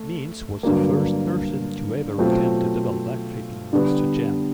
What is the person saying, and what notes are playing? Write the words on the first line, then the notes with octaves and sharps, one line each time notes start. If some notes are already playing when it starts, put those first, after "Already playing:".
Meents was the first person to ever attempt a double backflip in Monster Jam.
Already playing: A3
G2 D3 F#3 A#3
B2 F#3 A3 C4 F4
D3 G3 B3